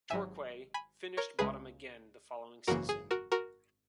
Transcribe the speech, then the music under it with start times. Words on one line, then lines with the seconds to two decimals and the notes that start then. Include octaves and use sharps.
Torquay finished bottom again the following season.
0.10 G#1 G#2 F#3 E5 G#5
0.74 G#5 B5
1.17 A#4 C#5
1.39 C#2 C#3 G#3 G#4 B4
2.67 G#1 F#2 C#3 E3 A#3 F#4 A#4
2.89 G#4
3.11 F#4 A#4
3.32 F#4 A#4